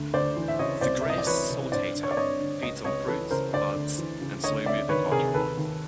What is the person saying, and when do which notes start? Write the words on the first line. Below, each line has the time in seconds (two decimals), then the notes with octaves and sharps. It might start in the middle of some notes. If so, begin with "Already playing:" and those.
The greyish saltator feeds on fruits, buds and slow-moving arthropods.
Already playing: D2
0.14 D2 C5 D5
0.36 E3
0.48 E5
0.59 C#3 C#5 D#5
0.81 C2 C5 D5
1.01 C2 E5
1.10 D#5
1.18 D5
1.27 E3 B4 C#5
1.50 C3
1.72 G2 C5 D5
1.95 D3
2.03 C#5
2.11 D5
2.17 G2 C#5 D#5
2.40 D3
2.63 C#2 C#5 D#5
2.85 C#2 C#5 D#5
3.08 E3 A4 B4
3.31 C#3 A#4 C5
3.53 D2 C5 D5
3.76 D2
3.98 E3
4.21 C#3
4.44 D2 C#5 D#5
4.66 D2 D5 E5
4.89 D#3 B4 C#5
5.12 C3 G#4 A#4
5.34 D#2 A4 B4
5.57 D#2